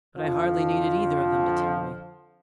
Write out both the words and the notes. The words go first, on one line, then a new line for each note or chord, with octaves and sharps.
But I hardly needed either of them to tell me.
F2 D3 F3